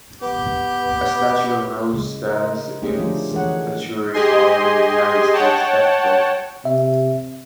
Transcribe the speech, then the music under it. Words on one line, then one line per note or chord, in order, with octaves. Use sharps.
A statue of Rose stands in Statuary Hall in the United States Capitol.
B3 G4
C#3 G#3
E4 A#4 C5 D#5
A3 C4 C#4 D#4 G4 G#4
D3 F3 A3 C#4 D4 F4
E3 G#3 G#4 A#4 C#5 F#5
G4 G#4 D#5 G#5 C6
C#5 F#5 G5 A5
C3 E5